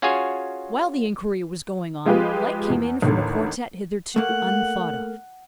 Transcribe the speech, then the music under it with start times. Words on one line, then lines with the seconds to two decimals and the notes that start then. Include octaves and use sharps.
While the inquiry was going on, light came in from a quartet hitherto unthought of.
0.02 C#4 F4 F#4 G#4 C#5 G#5
2.05 F3 G#3 F4 G4 G#4 B4
2.70 E2
3.02 A1 D#2 D3
4.16 A3 A#3 F#5